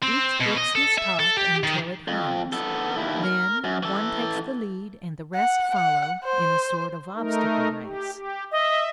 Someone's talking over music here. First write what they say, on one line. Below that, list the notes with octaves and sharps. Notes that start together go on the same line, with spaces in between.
Each whips his top until it hums; then one takes the lead and the rest follow in a sort of obstacle race.
C4
B2
D#5
A4
E5
A4
G4
D#3
F2
B3 A4
D#2 E4
A#4
F#2
E3 A4
F#5
F#5
C5
A3 D#4 A#4
G4
G4
D#5 E5